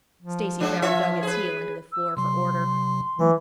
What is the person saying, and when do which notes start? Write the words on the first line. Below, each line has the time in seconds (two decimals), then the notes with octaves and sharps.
Stacy Brown dug his heel into the floor for order.
0.22 F3
0.60 F#3 G#3 D4
0.82 F4 C#5 E5
1.23 G#4 B4
1.92 E6
2.17 C3 F#3 C6
3.19 E3 F#3 A3